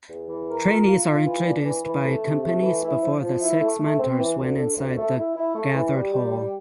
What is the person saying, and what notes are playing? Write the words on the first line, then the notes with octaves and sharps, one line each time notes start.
Trainees are introduced by companies before the six mentors went inside the gathered hall.
E2
E3
A#4
F4
F4
F4
E3
D4
E3
E3
A3
C3
A3
E3
E4
F3
F3
E4
A3
A3
C4
E3
D2
D3
D2
A3
E4
E4
A3
E3
G3
G3
G3